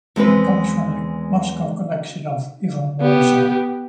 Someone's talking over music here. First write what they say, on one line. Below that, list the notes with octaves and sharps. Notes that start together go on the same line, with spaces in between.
It comes from the Moscow collection of Ivan Morozov.
E2 G#3 C4 B4
B3 G4